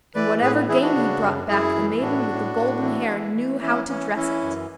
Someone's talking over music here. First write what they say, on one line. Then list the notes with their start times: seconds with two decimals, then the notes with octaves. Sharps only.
And whatever game he brought back the maiden with the golden hair knew how to dress it.
0.15 E3 B4 D5
0.41 A2 G#4 B4
0.68 E3 E4 G#4
0.82 D4 F#4
0.96 C#3
1.22 F#2
1.48 F#2 E4 G#4
1.75 E3
2.01 A2 D4 F#4
2.29 A2
2.55 A2
2.82 E3
3.08 E3
3.35 E3
3.62 E3 C#4 E4
3.88 E3 C#4
4.16 E3 C#4 E4
4.42 F#2